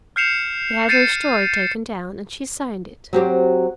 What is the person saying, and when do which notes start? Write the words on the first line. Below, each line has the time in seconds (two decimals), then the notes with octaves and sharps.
He had her story taken down, and she signed it.
0.16 F6 G6 C7 C#7 E7 F7
0.89 G6 A6 C7 C#7 D#7 E7
3.13 F#3 C4 G4